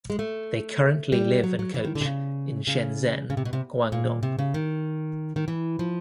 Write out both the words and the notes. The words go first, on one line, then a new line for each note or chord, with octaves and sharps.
They currently live and coach in Shenzhen, Guangdong.
G#3
A3
G3
F#3
F#3
E3
D#3
D3
C3
C#3
C#3
C#3
C3
B2
C3
A#2
C3
C#3
D#3
D#3
E3
F3